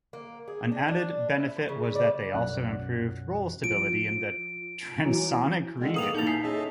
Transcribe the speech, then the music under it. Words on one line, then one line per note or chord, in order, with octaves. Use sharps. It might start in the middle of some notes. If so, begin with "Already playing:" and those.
An added benefit was that they also improved roll stability in the transonic region.
A#3
G#4
D4
D4
E4
A#2
C#3
D5
B1 F#2 B2 C#4 F#5 F#6
F3 D7
E3 F#3
D3 D#3 G#3 A4
A#3 B3 G#4 F5 D#6 F7
A#2 D#4 E4 A5 G6 A6 F7
G#5 B6 C7
C#4 G#4 D#5 E5 A5
A4